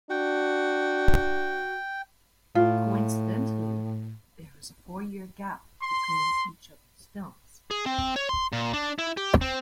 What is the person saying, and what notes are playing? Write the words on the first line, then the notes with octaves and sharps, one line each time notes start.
Coincidentally, there is a four-year gap between each of his films.
D4 F#4 G5
A2 F4
C6
G#4
C4
C#5
C6
A#2
D4
E4
G4
C4